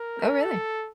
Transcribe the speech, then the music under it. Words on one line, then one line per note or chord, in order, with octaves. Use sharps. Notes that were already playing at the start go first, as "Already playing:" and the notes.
Oh, really?
Already playing: A#4
A4